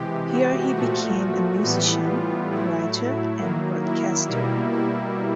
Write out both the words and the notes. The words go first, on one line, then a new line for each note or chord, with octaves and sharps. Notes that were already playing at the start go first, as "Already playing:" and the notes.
Here he became a musician, writer and broadcaster.
Already playing: C3 E3 G#3 G4
F#4
A#2 F3 A3 F#4
A2 E3 G3 B3
F4
A2 F#3 A3 E4
D#3 F#3 A#3
E4
B2 G3 A#3
E4